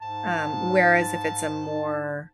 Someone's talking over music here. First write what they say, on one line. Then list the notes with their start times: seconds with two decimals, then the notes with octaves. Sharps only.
um, whereas if it's a more,
0.01 G#2 A5